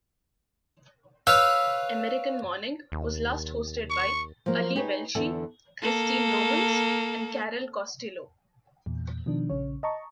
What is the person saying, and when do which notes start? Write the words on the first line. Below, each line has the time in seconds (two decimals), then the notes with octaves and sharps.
"American Morning" was last hosted by Ali Velshi, Christine Romans and Carol Costello.
1.27 B4 C#5 F5 E6
2.92 D#2
3.90 C#6
4.46 F3 F#3 A#3
4.76 D#4 G4 G#4 B4 C#5
5.15 E2 D3 A4 E5 F#5 A5
5.82 A#3 A4
8.86 E2 A#2
9.26 B2 D#3 F3 D4
9.50 A#1 C#3 C#4 C#5
9.83 D#5 A5 A#5 C#6